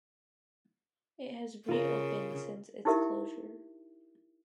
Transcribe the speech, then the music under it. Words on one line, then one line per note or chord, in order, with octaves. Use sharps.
It has re-opened since its closure.
C#3 F4 A#4
D#4 E4 G4 A#4 E5